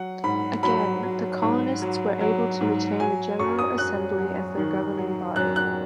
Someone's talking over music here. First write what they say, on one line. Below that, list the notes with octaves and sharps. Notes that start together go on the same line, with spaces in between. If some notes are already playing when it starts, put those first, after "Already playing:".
Again, the colonists were able to retain the General Assembly as their governing body.
Already playing: F#3 F#5
G#2 B5
F#3 B5
F#3
G#2
F#3
F#3
G#2
F#3 G#5
F#2 C#6
D#6
F#2 F#6
F#3
D#3
F#3
F#2 F#6
F#6